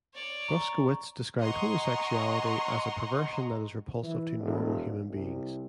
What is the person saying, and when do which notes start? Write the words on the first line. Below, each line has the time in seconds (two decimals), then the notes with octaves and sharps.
Bruskewitz described homosexuality as "a perversion that is repulsive to normal human beings".
0.13 C#5 D5
0.48 A#5 C#6
1.40 D#5 F#5 G#5 A#5 C6 C#6
4.03 E3
4.40 E1
5.10 C2